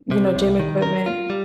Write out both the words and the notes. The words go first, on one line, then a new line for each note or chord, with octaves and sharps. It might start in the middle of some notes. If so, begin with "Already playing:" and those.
you know, gym equipment.
C3
C2
D#3
A#4
F4
G3